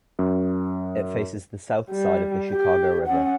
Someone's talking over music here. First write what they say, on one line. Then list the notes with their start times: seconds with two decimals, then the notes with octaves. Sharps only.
It faces the south side of the Chicago River.
0.19 F#2
1.91 G3
2.51 G4
3.07 C#4 F#5